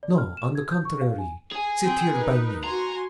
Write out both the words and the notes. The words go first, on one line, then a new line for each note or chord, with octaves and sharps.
'No, on the contrary, sit here by me.
D5
F6
E7
G#6
G6
C#6
F5
G#5
G#4 G#5
C4 G5
D#4 A#4 B4
F#4 G#5 A#5 C6